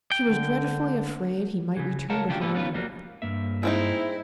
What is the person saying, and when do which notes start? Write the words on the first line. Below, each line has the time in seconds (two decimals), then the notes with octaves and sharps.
She was dreadfully afraid he might return to harm her.
0.12 G5
0.26 D3
1.77 C#3 E3
2.10 A#4 C#5 F5 F#5 A5 A#5
2.29 C#3 A3 D4 F4 G4
2.41 G#2 G3 A#3 G4 A4 B4
2.54 B3 C#4 D#4 F4 A4 B4
2.74 G3 A#3 F#4
3.22 G2 A#3 E5
3.63 G#3 C4 D#4 E4